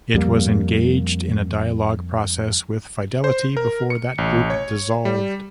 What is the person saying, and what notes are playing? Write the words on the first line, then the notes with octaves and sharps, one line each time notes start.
It was engaged in a dialogue process with Fidelity before that group dissolved.
F2 G3 A#3
C5
A#4
C#7
A1
C#5
G3